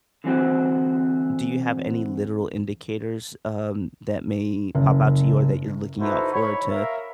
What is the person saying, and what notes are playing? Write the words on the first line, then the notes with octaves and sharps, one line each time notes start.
do you have any literal indicators, um, that may pop out to you or that you're looking out for to,
D3 E3 C4 F#4
F#1
D#4 E4 F#4 A4 B4 C5
C#5 B5
A#4 E5 F5